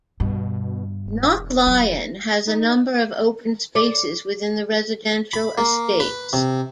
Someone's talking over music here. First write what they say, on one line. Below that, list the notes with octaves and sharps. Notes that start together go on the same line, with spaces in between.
Knocklyon has a number of open spaces within the residential estates.
G2 B2 D3
E1
F#3
D#4
D5
B5
A#3
B4
C3